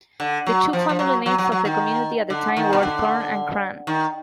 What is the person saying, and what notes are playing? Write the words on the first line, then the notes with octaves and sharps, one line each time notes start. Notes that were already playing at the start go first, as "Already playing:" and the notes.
The two family names of the community at the time were Thorne and Crann.
D3
F#3
F3
F3
F#3
F#3
F#3
F#3
D#3
D3
D#3
B2
D3
D#3